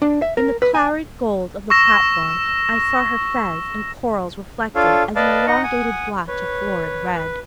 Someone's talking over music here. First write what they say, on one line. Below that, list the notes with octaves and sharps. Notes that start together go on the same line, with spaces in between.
In the clarid gold of the platform I saw her fez and corals reflected as an elongated blotch of florid red.
D4
E5
A#4
B4
G#5
C#6 E6 A#6 E7
D4 F4 A4 C#5 F5
B4 D5 D#5 F5 A5
D#4 D#5 F#5 A#5 C#6
F#5 G#5 D#6
B4 C#5
B4